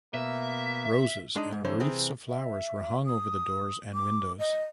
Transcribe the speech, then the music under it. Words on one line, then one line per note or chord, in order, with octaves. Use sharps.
Roses and wreaths of flowers were hung over the doors and windows.
B2 A#3 E5
G#3 D4 D#4
G#2
F2 D3 E3 C5 C#5
C3 E3 C4 G#4
E5
D#6
D6
D#5